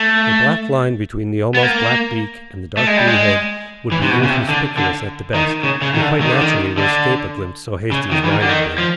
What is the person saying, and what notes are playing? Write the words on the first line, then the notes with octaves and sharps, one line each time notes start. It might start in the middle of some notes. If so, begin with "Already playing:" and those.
A black line between the almost black beak and the dark-blue head would be inconspicuous at the best, and quite naturally would escape a glimpse so hasty as mine had been.
Already playing: A3
B3
A#3
A3
G#3
G3
G#3
E3
C3
B2
C#3
C3
D3
D3
D#3
C#3
C#3
D#3
D3
D#3
D3
D#3
D3
C#3
D#3
E3
D#3
D3
D#3
F3